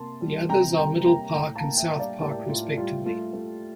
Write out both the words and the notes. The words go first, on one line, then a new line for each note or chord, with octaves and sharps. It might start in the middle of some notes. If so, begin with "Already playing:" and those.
The others are Middle Park and South Park respectively.
Already playing: C3 A#3 A5 C6
G3
C3 G5 A#5
G3 G5 A#5
A#3 G5 A#5
A2 G5 A#5
F5 A5
A#3
E5 G5
G3
D5 F5
A2 G4 A#4
A2 F4
G3 F4
A3 F4
A3